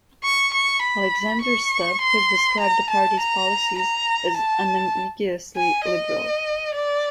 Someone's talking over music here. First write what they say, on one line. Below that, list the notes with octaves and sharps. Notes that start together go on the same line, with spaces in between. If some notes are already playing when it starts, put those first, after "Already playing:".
Alexander Stubb has described the party's policies as "unambiguously liberal".
C#6
C#6
B5
C#6
C6
A#5
A5
A#5
A#5
A5
G#5
D#5
D5